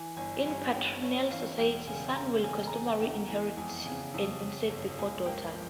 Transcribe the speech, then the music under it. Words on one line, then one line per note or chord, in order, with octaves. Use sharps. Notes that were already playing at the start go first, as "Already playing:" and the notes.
In patrilineal societies, sons will customarily inherit an estate before daughters.
Already playing: E3 G#5
G1 G#5
G2 G#5
G1 G5
G1 C#5
E3 F5
E1 G5
C#3 G#5
E1 A#5
E1 G#5
A#5
E1 G#5
E2 G5
E3 G#5
F2 G#5
C#3 G#5
F2
C#3
G1
C#2 G#5
A#3 G5
F3